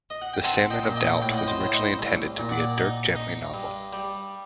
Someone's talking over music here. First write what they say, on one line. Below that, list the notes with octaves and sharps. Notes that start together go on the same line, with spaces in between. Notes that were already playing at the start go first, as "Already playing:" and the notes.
"The Salmon of Doubt" was originally intended to be a Dirk Gently novel.
D#5
F#5
G5
C4 F#5 A5
D#5 G5
A#2
D#5 G5
A2 G5
F#5
D#5 G5
C5 D#5
A2
C5 D#5
C2
A#2
D5 F#5
D#4
D#4
G2
G3